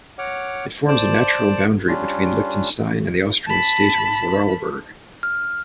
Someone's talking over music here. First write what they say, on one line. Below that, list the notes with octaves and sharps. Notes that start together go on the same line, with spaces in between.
It forms a natural boundary between Liechtenstein and the Austrian state of Vorarlberg.
C#5 F#5 D6 F6
C5 D5 A5 D6
G3 C#4 D4 F4
A5 B5
F6